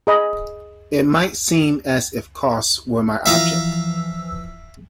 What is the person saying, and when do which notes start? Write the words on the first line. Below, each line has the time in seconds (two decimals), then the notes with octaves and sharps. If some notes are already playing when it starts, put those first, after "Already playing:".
It might seem as if costs were my object.
0.07 G#4 D#5 B5
3.26 E3 F3 E5 F5 A#5 E6